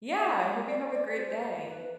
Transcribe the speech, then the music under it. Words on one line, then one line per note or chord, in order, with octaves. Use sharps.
Yeah, I hope you have a great day.
E5
D5
D5
B4
C5
B4